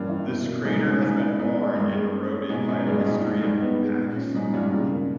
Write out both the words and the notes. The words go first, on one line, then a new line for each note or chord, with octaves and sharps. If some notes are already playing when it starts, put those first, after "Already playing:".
This crater has been worn and eroded by a history of impacts.
Already playing: G2 E3 A#3 C#4
E4
B2
A#3
G#2 G3
G#2 C#4
G#2 G#3
E4
G#2 B3
G#3
G2 A#3
G#4
C#4
C#5
G#2 B2
G#2 C#4
G2 G#3
A#2
G#2 G#4
G#2 G#3
G2 D#4
B3
G#3
A#2
C#4
G#2 G3
G2 A#2 E4
C#3
A#3